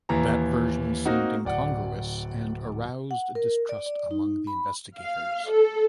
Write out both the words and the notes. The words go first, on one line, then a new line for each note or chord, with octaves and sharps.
That version seemed incongruous and aroused distrust among the investigators.
D#2 E3 A#5
A#3 C4 D#4 F#4
D1 D5 F#5
F#5
A#4
D5
D5
D#4
B5
F5
A4